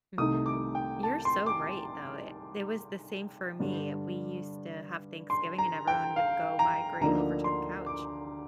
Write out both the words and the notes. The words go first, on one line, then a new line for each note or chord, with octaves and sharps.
Mhm, you're so right though, it it was the same for me, we used to have Thanksgiving, and everyone would go migrate over to the couch
C2 C3 D#3 A3 D#4 D#6
D6
G5
A5
C6
D6
G2 D3 G3 D4
C6
A#5
G5
F5
A#5
D2 D3 F3 A#3 D#4 A#5
C6
D6